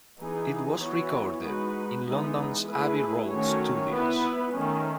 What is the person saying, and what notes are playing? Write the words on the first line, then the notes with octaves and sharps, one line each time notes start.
It was recorded in London's Abbey Road Studios.
E3 B3 D#4 G#4
E3 B3 F#4 C#5
G#3 D#4 F#4 B4
E3 G#3 B3 D#4
A3 E4 G#4 B4
D#3 A3 C#4 F#4 C#5
B3 E4 B4
D#3 A3 C#4